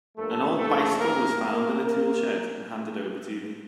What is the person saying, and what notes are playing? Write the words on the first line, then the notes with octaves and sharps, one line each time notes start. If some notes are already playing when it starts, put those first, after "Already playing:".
An old bicycle was found in a tool-shed and handed over to me.
G2 F3 A3 A#3 A4
A3 A4
A#3 A#4
A#3 A#4
A#3 A#4